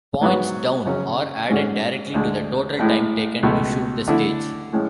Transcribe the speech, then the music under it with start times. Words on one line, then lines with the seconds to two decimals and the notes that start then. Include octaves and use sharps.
Points down are added directly to the total time taken to shoot the stage.
0.21 G#2 F#3 B3 F#4
0.85 F#2 C#3 F#3 C#4
1.50 G#2 G#3 C#4 F#4
2.14 D2 D3 G#3
2.78 A1 A2 G#3
3.43 C#2 B2 A3
4.07 D3 A3 E4
4.73 A2 G#3 C#4